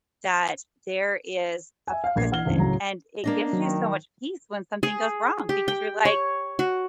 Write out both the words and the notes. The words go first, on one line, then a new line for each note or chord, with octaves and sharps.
that there is a purpose in it, and it gives you so much peace when something goes wrong because you're like,
E5 G#5
F5
A#1 A#3 G#6 C7
E3 F#5 F6 G7
C#2 G2 E3 C4
C#2 A2 F#3 A#5
A#3 D4 D#5
D#3 F#3
G#4
G4
G5
C#5
F#4